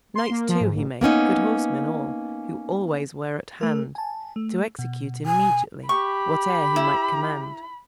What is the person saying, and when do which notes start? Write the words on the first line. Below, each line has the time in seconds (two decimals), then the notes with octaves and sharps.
Knights, too, he made, good horsemen all, Who always were at hand To execute immediately Whate'er he might command.
0.16 C6
0.30 A#3
0.49 F3
0.60 G#2
0.75 A1
1.01 A#3 B3 C#4 D#4
3.61 A3 A#4
3.95 G#5 A5
4.36 A3
4.79 B2
5.26 G#5
5.89 G4 B5 C#6
6.76 E4